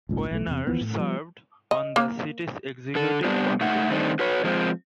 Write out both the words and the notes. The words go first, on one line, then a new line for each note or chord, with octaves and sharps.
Weiner served on the city's executive committee.
G#1 C#2 A#2 D#3
B1 A3
E2 C3
D#2 E3 F3 B3
A2
F3 G3 B3
D#5
A#3
D3 A4
G3 B3 C4 D4 G4
A3 D#4 E5 F#5
D#3 G3 A3 C4 D4 D#4
F#4 B4 C#5
F3 G#3 C4